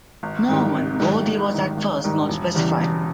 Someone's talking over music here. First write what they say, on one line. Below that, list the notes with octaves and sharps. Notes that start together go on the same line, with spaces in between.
Norman, "bodhi" was at first not specified.
G#1
G#2 D#3 G3
G#1
G#2 D#3 G3
G#1
G#2 D#3 G3
G#1
G#2 D#3 G3
E1
E2 C#3 E3 G3
E1